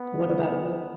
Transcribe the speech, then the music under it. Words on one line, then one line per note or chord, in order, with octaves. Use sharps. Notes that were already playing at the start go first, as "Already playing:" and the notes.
what about you?
Already playing: B3